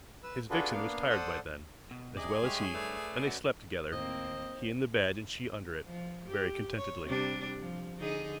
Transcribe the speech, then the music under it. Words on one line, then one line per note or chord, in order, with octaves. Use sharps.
His vixen was tired by then, as well as he, and they slept together, he in the bed and she under it, very contentedly.
B4 E6
D4 F4 F#4 G#4 A4 B4
A#3 B3 D4 F5
A4 C5 D5 F#5 D#6 E6
B2
C3 G#4 D5 D#5
G2 G#3 A3 G4 C#5
A3 B4 D5
C#4 F#4
D#2 A2 A#3 C4 C5 D#5
F3
G4
C#5
C3 G3 D4
F3
D3 D#4 G#4